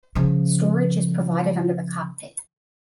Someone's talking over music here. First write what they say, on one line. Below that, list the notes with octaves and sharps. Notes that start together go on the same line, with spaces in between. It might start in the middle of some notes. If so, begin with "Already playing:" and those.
Storage is provided under the cockpit.
C#3 F3